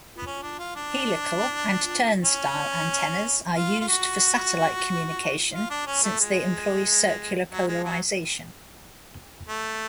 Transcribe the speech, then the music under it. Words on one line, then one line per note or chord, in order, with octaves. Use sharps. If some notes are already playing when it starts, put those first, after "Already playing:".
Helical and turnstile antennas are used for satellite communication since they employ circular polarization.
B3
C#4
D4
F4
D4
C#4
F4
F4
F#4
F4
D4
C#4
A3
G#3
F#3
G#3
F#3
A3